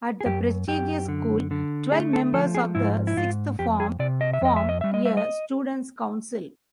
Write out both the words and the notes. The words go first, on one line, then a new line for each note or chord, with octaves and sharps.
At the prestigious school twelve members of the Sixth Form form a Student's Council.
G#4
F#2 G4
F#2 G4
D3
D3
A3 G#4
A4
F3 A4
G#4
G#2 E4
E4
G#2 F4
F2 G4
G#4
C3 D5
D#5
E5
F2 D#5
E5
D#5
G3 E5
D#5
E5
D#5